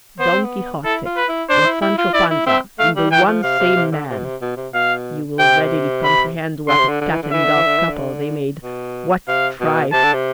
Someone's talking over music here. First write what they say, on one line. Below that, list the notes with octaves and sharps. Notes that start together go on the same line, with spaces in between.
Don Quixote and Sancho Panza in the one same man! you will readily comprehend what a cat-and-dog couple they made! what strife!
B3 C5
C4
B3
E4 A4
F4
B4
E4
D4 C5
D4
E4
E4
F4
E4 D5
E4
C4 E5
A3 F5
G3
E3 G5
F3
C3 F5
C3
C3
D3
C3
B2
C3
B2
C3
B2 F5
C3 G5
B5
D3 C6
C3
D3
D3
E3
D3
E3 E5
D3
E3
D3
E3
D3
B2
C3 F5
B2
C3 A5
D3
C3